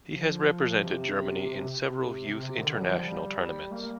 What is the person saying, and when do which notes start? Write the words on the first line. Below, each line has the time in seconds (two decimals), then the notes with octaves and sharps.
He has represented Germany in several youth international tournaments.
0.07 F3
0.80 C3
1.53 C3
1.74 C3
2.26 C3
2.44 C3
2.56 D#3
2.63 D3
2.75 G3
2.81 F3
2.99 G3
3.72 A#3